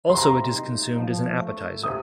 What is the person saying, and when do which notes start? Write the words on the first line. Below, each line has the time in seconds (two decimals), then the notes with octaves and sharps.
Also it is consumed as an appetizer.
0.09 C3 C6
0.17 A#5
0.25 C6
0.53 D#4
0.96 F3
1.40 A3
1.83 C3 D#6